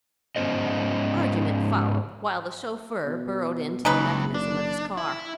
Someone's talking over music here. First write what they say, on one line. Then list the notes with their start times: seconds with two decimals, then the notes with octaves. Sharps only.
Argument followed while the chauffeur burrowed into the mechanism of his car.
0.36 G#2 B3 C#4 C5 D#5
3.07 B2
3.85 F#1 C#2 C#3 D#4 B4
4.34 D4
4.97 E4